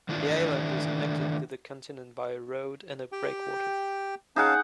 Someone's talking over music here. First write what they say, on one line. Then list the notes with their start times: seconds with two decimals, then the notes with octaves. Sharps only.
The island is connected to the continent by a road and a breakwater.
0.09 D#3 E3 A3 D4 F4
3.12 G4 G5
4.36 C#4 D#4 G#4 F5 F#5 A5